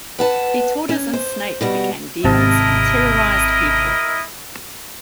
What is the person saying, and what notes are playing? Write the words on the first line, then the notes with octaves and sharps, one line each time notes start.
The tortoise and snake became demons and terrorized people.
B4 F#5 A5
C#4
C5
B2 G3 F#4
G#1 C3 E4 A#4 D#5 A5